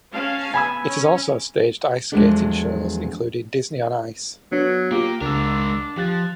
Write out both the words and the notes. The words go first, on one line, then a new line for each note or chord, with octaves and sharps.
It has also staged ice-skating shows, including "Disney on Ice".
C#4 F5 A5
B3 G#5 B5 E6
C#4
E2 F3 F#3 G#3 A3 D4
F#3 B3 D4
A#3 F4 G4
C#2 G#3 D4 A#4 E6
F3 G4 F#6 A6